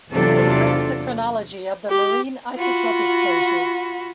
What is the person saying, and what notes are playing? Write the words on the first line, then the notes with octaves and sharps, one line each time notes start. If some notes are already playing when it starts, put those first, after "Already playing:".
It confirms the chronology of the marine isotopic stages.
E2 C3 F#3 D4 F4 A4
G4
F4 F#4 B5